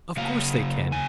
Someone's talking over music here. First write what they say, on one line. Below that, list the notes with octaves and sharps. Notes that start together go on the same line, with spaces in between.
Of course they can.
C#3 F#3 A#3 F5
G#5